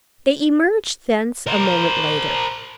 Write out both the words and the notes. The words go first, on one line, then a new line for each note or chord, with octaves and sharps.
They emerged thence a moment later.
A#4 C5